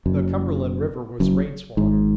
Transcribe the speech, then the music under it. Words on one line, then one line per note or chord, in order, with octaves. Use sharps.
The Cumberland River was rain-swollen.
F#1 F#2
F#1 F#2
G#1 G#2